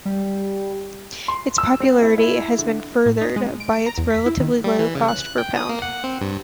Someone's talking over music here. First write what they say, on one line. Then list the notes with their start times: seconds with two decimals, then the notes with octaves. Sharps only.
Its popularity has been furthered by its relatively low cost per pound.
0.05 G3
1.28 C6
1.58 E6
1.80 C4
2.02 E4
2.18 E4
2.58 D3
3.06 A2
3.21 D#4
3.36 G#3
3.60 D7
3.73 D7
3.86 A#5
3.98 E2
4.10 B6
4.26 E4
4.40 D#3
4.64 G3
4.79 E3
4.95 C#3
5.08 F#6
5.38 G5
5.57 D#6
5.69 A#3
5.82 F#5
6.04 C4
6.21 G2